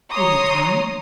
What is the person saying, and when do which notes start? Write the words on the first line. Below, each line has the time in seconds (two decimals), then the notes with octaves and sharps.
Would he come?
0.12 C#5 A#5 C6 D#6